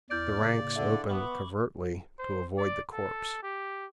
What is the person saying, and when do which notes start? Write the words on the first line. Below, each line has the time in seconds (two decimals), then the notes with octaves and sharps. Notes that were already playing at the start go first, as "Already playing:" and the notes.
The ranks opened covertly to avoid the corpse.
0.10 E2 E4 D5 F6 G6 D7
0.39 A2 C#3 A#3
0.76 D3 E5
1.09 B3 B5 C#6 D6
2.19 C5
2.58 D5
2.93 A4
3.43 G4